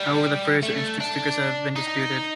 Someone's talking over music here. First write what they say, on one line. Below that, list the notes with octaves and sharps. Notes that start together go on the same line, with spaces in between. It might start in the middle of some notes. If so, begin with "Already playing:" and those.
However, the Fraser Institute's figures have been disputed.
Already playing: G3
A3
D4
D#4